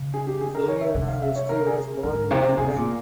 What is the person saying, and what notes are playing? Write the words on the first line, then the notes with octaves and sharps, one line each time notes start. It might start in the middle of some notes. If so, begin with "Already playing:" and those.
Juliana Westray was born in England.
Already playing: C#3
G#4
G4
G#4
A#4
C#5
E5
C3
F5
E5
C#5
A#4
G#4
G#2 A#4
C3
C3 G#4
A#2